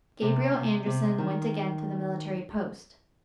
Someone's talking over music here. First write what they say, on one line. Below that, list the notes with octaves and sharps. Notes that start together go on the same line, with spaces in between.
Gabriel Andersen went again to the military post.
C3
C3
C3
D#3